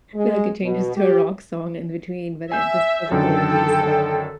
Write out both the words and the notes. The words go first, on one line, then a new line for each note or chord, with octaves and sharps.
like it changes to a rock song in between, but it just was like a release of
G#3
B2
G4
E5 G#5 G6
F#2 D3 D#3 A4 G5